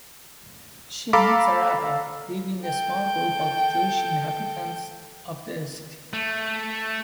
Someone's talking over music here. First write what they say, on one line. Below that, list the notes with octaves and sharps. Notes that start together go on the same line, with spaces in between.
She meets a rabbi, leading a small group of Jewish inhabitants of the city.
A4 F5 A#5 B5 D6
A4 G5
A3